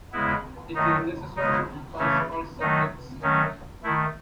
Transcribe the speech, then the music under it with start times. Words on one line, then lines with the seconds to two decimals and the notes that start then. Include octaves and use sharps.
It is necessary to pass all subjects.
0.13 C#3 G#3 B3 E4
0.74 D#3 F#3 A3 D#4
1.36 C#3 G#3 B3 D#4
1.98 C#3 E3 A3 C#4
2.60 D#3 F#3 A3 D#4
3.22 D#3 F#3 A3 C#4
3.83 D#3 A3 E4